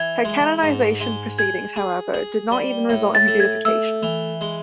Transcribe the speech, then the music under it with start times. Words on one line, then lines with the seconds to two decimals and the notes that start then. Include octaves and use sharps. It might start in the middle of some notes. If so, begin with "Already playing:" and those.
Her canonization proceedings, however, did not even result in her beatification.
Already playing: E3 G#6
0.25 G#3
0.63 G#2
1.01 G#3
1.38 G#4 G#6
1.76 G#4
2.14 G#4
2.51 G3
2.89 A2
3.15 A6
3.28 A3
3.40 G#6
3.65 A3 E6
4.03 E3
4.41 G#3